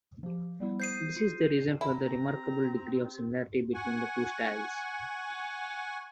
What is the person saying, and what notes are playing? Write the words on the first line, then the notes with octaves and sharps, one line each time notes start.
This is the reason for the remarkable degree of similarity between the two styles.
F3 G4
G3 B3 E4
C5 D#6 G6 C7 D#7
F4
C4 E4 G4 A#5
F#5 G#5 C#6